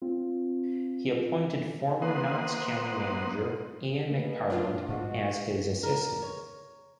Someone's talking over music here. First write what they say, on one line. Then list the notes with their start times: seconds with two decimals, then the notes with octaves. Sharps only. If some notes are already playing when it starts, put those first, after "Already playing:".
He appointed former Notts County manager Ian McParland as his assistant.
0.02 C4 F4
2.02 A#3 B3 C5 F#5 C6 D#6
4.08 B2 D3 A3 A#3
4.50 D4 F4
4.89 G#2 F#4
5.83 A#4
6.22 C#5